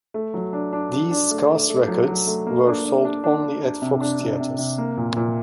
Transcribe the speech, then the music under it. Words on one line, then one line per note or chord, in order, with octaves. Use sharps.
These scarce records were sold only at Fox Theaters.
A3
F#3
D4
D4
D4
D4
A3
A3
A3
F#3
F#3
A3
A#3
D4
D4
D4
D4
D4
D4
C3
D4
C3
C3
C3
A#3
A#2
A#2